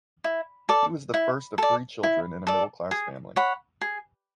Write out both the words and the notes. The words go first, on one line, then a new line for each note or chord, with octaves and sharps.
He was the first of three children in a middle-class family.
E4
A4 D5
E4
A4 D5
E4
A4 D5
G#4
C#5 F#5 B5
G#4